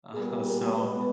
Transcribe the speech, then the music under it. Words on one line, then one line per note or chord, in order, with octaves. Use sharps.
Aha, so,
A#2 G3 B3 G#4
A#4
B2 G#3 B3 B4